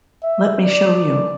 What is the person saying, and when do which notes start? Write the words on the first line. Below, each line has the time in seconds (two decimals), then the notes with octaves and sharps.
Let me show you.
0.23 E5
0.62 D5